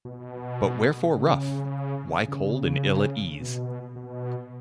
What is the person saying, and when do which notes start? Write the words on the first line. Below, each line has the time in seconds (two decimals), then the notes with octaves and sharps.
But wherefore rough, why cold and ill at ease?
0.05 B2
1.17 C#3
2.28 C#3
3.40 B2
3.96 B2